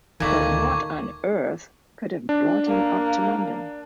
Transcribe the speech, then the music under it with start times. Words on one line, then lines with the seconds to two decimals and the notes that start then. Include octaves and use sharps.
But what on earth can have brought him up to London?
0.20 D2 A#2 D#3 A3 A#3 C#6 D6 G#6
2.29 D4
2.67 A#3